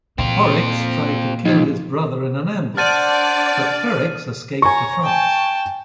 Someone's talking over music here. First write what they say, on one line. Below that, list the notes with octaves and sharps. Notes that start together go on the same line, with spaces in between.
Porrex tried to kill his brother in an ambush, but Ferrex escaped to France.
A#2 E3 C4 F4
C#2 F3 D#4
D4 C5 D5 F#5 A5 F6 A6 D#7
C#5 G#5 A#5 C#6
G5 A5